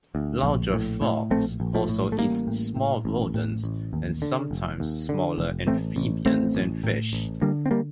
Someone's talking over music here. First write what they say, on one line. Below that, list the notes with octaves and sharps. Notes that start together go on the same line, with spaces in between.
Larger frogs also eat small rodents and sometimes smaller amphibians and fish.
D2
A#1
A2
A2
A#1 A3 C4
A#1
F3 A3
A2
A3
A1 G3 A#3
A2
A2
A1
A2
A1
D#2
D3
F1
D#2
D3
F1
A1 A3 C4
A1
A1 A3 C4
A1
A2
A1
D3 G3 A#3
C4
G3 A#3